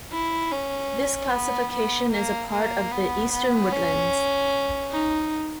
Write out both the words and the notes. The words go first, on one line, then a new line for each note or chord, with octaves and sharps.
This classification is a part of the Eastern Woodlands.
E4
C#4
B3
B3
A#3
A#3
B3
B3
C#4
D#4